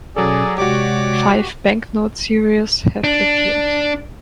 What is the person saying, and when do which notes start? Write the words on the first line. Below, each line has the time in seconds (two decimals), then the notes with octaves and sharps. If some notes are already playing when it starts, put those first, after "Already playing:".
Five banknote series have appeared.
0.16 B2 F#3 C#4 G#4 A4 D5
0.58 C3 G#3 F#4 G4 C#5 D5 D6
3.04 D4